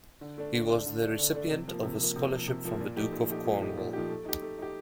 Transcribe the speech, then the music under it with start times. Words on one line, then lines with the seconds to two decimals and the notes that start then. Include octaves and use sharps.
He was the recipient of a scholarship from the Duke of Cornwall.
0.21 D3
0.38 A3 D4
0.53 D3
0.70 A3 D4
0.86 D3
1.02 A3 D4
1.19 D3
1.35 A3 D4
1.51 C3
1.68 F3 A#3
1.83 C3
2.00 F3 A#3
2.16 C3
2.32 F3 A#3
2.48 C3
2.65 F3 A#3
2.80 A#2
2.96 F3 A3 D#4 G4
3.13 A#2
3.29 F3 A3 D#4 G4
3.45 A#2
3.61 F3 A3 D#4 G4
3.77 A#2
3.93 F3 A3 D#4 G4
4.09 A3
4.25 D#4 G4
4.42 A3
4.58 D#4 G4